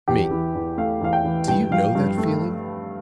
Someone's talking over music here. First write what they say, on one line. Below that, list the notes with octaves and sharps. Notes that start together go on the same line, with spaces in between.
ME: Do you know that feeling?
E2 G4
E3
E2
A3 F5
E2 F5
G5
E3
G2 G5
F3 F5
G2
A3